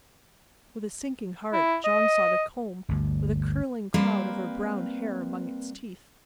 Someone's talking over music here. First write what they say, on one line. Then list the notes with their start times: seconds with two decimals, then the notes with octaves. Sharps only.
With a sinking heart John saw the comb with a curling cloud of her brown hair among its teeth.
1.53 E4
1.84 D#5
2.89 G1 D2
3.94 G3 A#3 C4 A#4 B4